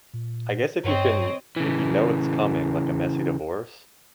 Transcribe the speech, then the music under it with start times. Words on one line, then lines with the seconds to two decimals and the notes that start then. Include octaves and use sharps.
I guess if you can if you know it's coming, like, a messy divorce,
0.13 A#2
0.84 G2 C4 C#5 D#5
1.56 C#3 E3